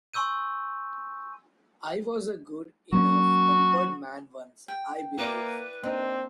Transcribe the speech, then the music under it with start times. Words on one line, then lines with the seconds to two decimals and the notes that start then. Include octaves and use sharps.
I was a good-enough-tempered man once, I believe.
0.14 G#5 C6 C#6 E6 G6 D#7
2.92 F#3 A#3 C#4 F#4
4.68 G5
5.18 A#3 E4 B4 D5
5.83 A#3 C4 D4 D#4